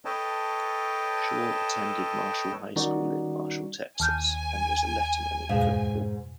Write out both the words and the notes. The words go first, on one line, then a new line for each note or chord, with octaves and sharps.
Shaw attended Marshall High School in Marshall, Texas and was a letterman in football.
A4 B4 C#5 D#5 G5 A5
D#3 G3 C#4 D#4 F#4 D5
D#2 G#5 A5 F6 G6
F2 G#2 B2 F5